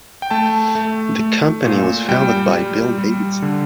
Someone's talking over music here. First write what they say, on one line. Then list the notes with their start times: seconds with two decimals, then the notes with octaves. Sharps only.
The company was founded by Bill Davidson.
0.22 G5
0.31 A3 A5
0.75 A3
1.19 A3
1.65 A#2
2.09 G3 G5
2.53 G3
2.98 G3
3.42 D3